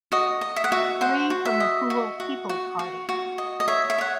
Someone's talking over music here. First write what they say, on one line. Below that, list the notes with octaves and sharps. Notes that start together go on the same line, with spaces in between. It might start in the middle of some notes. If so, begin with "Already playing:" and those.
Three from the Poole People Party.
F#4 D#5
D#5
E5
F#5
F#4 E5
C5 F#5
F#4
E5
D#5
F#4
F#4
F#4
F#4
F#4
D#5
D#5
C#5 E5
E5
C#5 F#5